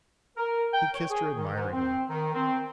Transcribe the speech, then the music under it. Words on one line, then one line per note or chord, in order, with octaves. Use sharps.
He kissed her admiringly.
A#4
G5
C#5
G#4
D#3
G#2
C4
D#3
C4